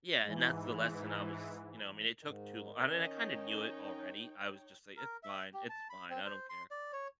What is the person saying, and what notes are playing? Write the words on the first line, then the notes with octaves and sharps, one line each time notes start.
Yeah, and that's the lesson I was you know, I mean, it took too long I mean, I kinda knew it already, I was just like, "It's fine, it's fine, I don't care,"
G#2 E3
G#2 D#3
C#4 D#4 C#5 D#5 G5
A#4
E5
G4
A5
B5
C4
C5
C6
D5
C#5